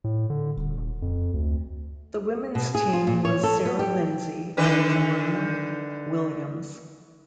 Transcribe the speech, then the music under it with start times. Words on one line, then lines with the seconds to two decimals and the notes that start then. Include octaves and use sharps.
The women's team was Sarah Lindsay and Joanna Williams.
0.04 A2
0.30 D3
0.56 D#1
1.02 F2
1.34 D2
2.55 B2
2.75 G#4
2.93 F4
3.07 A#2
3.25 C#5
3.43 A4
3.65 B3
3.79 G4
4.57 D3 D#3 B4